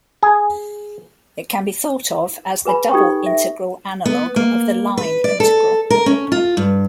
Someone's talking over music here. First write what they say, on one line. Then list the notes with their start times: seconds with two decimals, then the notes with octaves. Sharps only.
It can be thought of as the double integral analog of the line integral.
0.23 G#4
2.65 G#4 B4 G#5 B5
2.91 D#4 G4 A4 G5 C#6
3.26 E5
4.06 B3
4.36 A#3
4.97 B4
5.24 D5
5.40 A4
5.90 A#4
6.06 C#4
6.32 F4
6.57 G2